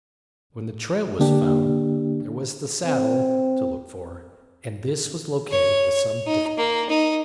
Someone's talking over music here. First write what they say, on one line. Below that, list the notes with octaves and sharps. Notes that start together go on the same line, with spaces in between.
When the trail was found, there was the saddle to look for, and this was located with some difficulty.
D3 A#3 D4 G4
C4
C#5
D#4
A#3
D#4